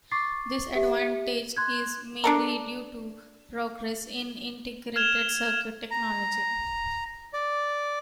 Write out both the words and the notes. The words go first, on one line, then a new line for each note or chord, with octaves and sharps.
This advantage is mainly due to progress in integrated circuit technology.
C#6 D6 A6 C7
G4 E5
C6 F#6 G#6
D4 A4 A#4
F6 G#6 E7 F7 G7
A#5
D5